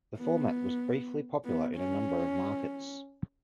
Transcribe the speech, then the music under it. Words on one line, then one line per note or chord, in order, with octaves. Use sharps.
The format was briefly popular in a number of markets.
B3
B3
C#4